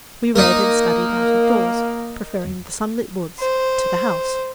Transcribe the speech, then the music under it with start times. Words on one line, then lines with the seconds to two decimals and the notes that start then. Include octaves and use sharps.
We read and studied out of doors, preferring the sunlit woods to the house.
0.36 A#3 D#4 A#4
3.39 C5